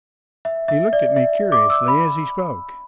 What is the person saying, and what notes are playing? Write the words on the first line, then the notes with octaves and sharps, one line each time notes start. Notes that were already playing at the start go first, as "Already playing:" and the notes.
He looked at me curiously as he spoke.
E5
E5
D5
E5
D6
E6
B5